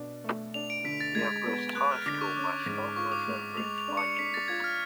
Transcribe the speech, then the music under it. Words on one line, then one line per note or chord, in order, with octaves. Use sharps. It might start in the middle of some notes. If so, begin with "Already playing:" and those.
The Everest High School mascot was Everest Vikings.
Already playing: B2 D4
A3
D4 F7
D7
D3 B6
A6
G#3 G#6
B3
B3 F#6
F6
D3 D6
C#6
C#4 D6
G#2
F4 C#6
D6
G#3
G#3 F7
F7
D4
C#7
D4 B6
A6
F4 G#6
F6